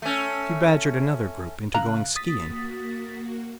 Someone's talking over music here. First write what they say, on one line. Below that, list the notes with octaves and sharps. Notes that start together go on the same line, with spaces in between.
She badgered another group into going skiing.
A3 C#4
C#3 F5 A#5 F#6
A#3 F#4 D#6 A6 B6